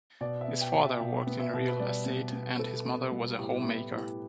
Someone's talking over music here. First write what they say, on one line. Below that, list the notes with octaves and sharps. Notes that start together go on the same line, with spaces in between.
His father worked in real estate and his mother was a home-maker.
B2 D5
E5
B3
G5
B2
E5
B2 G5
B3
E5
B2
B4
G3 D5
B3
B3
B3 A4
B3
G3
A2 G4
E4
B3
E4
A2
G4